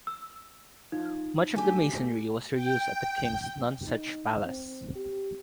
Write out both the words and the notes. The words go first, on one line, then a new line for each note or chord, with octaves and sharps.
Much of the masonry was reused at the king's Nonsuch Palace.
E6
F3 D#4
F#3 A3 D4 G4 G#5
A3
G5
D#4
C4
G4